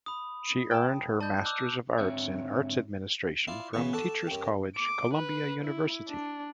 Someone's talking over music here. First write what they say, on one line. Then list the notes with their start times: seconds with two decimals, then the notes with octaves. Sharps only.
She earned her Masters of Arts in Arts Administration from Teachers College, Columbia University.
0.06 B5 D#6
0.71 G5 A5
1.20 D5 D#5 A5 B5 G6
1.45 D6 E6 F#6
1.99 G#2 D3 E3 C4 C#5 E5
3.47 E4 F4 D5
3.74 C#3 E3 B3 C#6
3.93 F#4 A4 A5 D6
4.27 F#2 G4
4.77 D6
5.14 B4
5.65 E4
6.09 D4